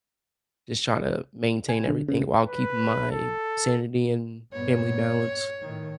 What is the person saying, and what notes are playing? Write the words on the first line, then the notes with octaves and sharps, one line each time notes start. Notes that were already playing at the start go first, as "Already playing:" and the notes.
just trying to maintain everything while keeping my sanity and family balance
G#5
D3
C#3
B4
A4
G2 A#2 B3 C#5
A2 D#3